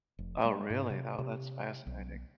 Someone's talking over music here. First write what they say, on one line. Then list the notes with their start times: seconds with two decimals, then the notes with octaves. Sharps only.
Oh, really? Oh that's fascinating.
0.19 F1
0.45 G#3
0.70 G#2
0.90 C3
1.19 C3
1.87 B1